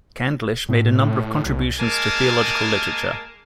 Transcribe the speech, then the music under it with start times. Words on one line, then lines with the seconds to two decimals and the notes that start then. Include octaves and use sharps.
Candlish made a number of contributions to theological literature.
0.69 A2
1.46 C2
1.80 G#3 A#3 A#4 G#5 A5